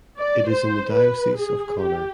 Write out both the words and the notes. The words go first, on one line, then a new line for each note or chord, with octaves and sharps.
It is in the Diocese of Connor.
D5
C5
B4
G#4
G4